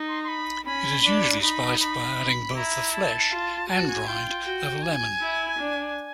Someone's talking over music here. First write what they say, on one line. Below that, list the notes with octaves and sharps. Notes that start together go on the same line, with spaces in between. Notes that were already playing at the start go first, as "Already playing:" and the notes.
It is usually spiced by adding both the flesh and rind of a lemon.
Already playing: D#4
C6
C6
B5
C#4 B5
D4
D#4 B5
B5
E4 A#5
A5
F4
F#4 A5
G#5
F4 G5
F#4
G#5
E4
D4